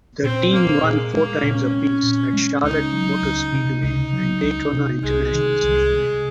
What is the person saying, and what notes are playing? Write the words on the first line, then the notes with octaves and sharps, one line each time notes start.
The team won four times apiece at Charlotte Motor Speedway and Daytona International Speedway.
A#2 C4
A#3 C4
A#2 G#3
G#3 A#3
A#2 C#4
C4
A#2
G#3
C#2 D#4
F#3
C#2
C3
C#2 D#4
F#3
C#2
C3
C2 G#3
D#3
C2
C3